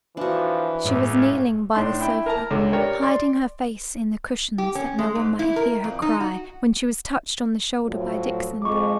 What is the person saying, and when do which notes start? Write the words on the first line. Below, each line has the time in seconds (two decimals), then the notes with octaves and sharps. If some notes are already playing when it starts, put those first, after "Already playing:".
She was kneeling by the sofa, hiding her face in the cushions that no one might hear her cry, when she was touched on the shoulder by Dixon.
0.17 E3 F3 D4 F#4
0.84 C#2 A2
1.75 A2 D4 D#4 C6
2.01 E4 G5
2.26 A#4 A5 A#5
2.51 C#2 D3
2.72 G4 A#4 C#5 D5 G5
3.02 D5 C6
4.58 G4
4.75 C#4
4.99 G#3
5.15 G#2
5.39 E4
5.56 A#4
5.84 F2
6.02 D#4
6.20 F#4
7.88 A2 F3 F#3
8.62 F2 G#3 C#6 D6